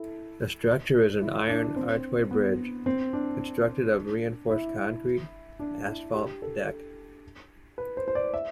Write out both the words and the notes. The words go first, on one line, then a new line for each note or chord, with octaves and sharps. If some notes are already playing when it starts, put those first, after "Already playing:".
The structure is an iron, archway bridge, constructed of reinforced concrete, asphalt deck.
Already playing: E4 A4
E4
D4
C4
B3
C4
D4
E4
D4
E4
G4
A4
B4
C5
C5
D5
E5